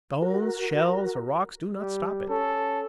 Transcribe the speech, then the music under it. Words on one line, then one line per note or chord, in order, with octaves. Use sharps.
Stones, shells, or rocks do not stop it.
F#4 A#4
G3
C#4 A4